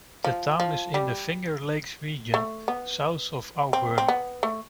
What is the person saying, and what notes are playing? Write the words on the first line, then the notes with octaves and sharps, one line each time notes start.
The town is in the Finger Lakes region, south of Auburn.
F3
F3
G3
A3
B3
C4
C4
B3
A3